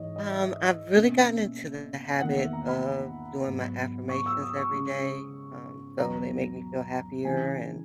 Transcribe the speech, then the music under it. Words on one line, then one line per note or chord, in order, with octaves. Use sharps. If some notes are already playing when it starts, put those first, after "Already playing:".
Um, I've really gotten into the habit of doing my affirmations every day, um, so they make me feel happier and,
Already playing: G#2 E3 G#3 D#4 C#5 D#5
D#5
E5
B2 A#3 C#4
E2 D#3 A#3 D#4 F#5
E5
A#5
B5
G#2 F#3 B3
C#6
E6
D#6
C#6
C#3 G#3 C#4
E2 B2 F#3 A#5
C#3 E3 G#3 G#5